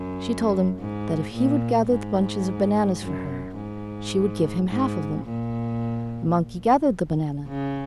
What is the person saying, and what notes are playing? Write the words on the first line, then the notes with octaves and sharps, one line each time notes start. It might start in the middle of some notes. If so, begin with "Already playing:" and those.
She told him that if he would gather the bunches of bananas for her she would give him half of them. The monkey gathered the bananas.
Already playing: F#2
G#2
A#2
G#2
F#2
G#2
G#2
A#2
C#3